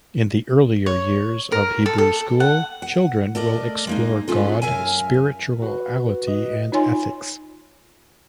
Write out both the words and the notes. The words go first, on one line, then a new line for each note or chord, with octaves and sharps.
In the earlier years of Hebrew school children will explore God, spirituality and ethics.
C#5
A#4
A4
A4
F#5
F#5
A3 A#4 D5 D#5
G#3 A#3 D#4
G#3 C#4 F4 A4
F#2 A#4 E5 F5 G#5
F#4 B4
D#5
D#4 F4 C#5 G#5 C6